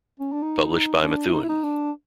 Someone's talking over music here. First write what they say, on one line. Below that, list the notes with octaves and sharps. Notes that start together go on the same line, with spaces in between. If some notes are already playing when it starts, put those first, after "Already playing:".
Published by Methuen.
C#4
D4
D#4
D4
E4
D#4
E4
D#4
D4